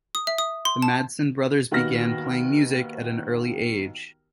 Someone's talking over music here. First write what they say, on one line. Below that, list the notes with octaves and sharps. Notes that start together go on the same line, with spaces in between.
The Madsen brothers began playing music at an early age.
D#6
E5
D#6
C6
A5
D#2 D#3 B3 F#4 F6 A#6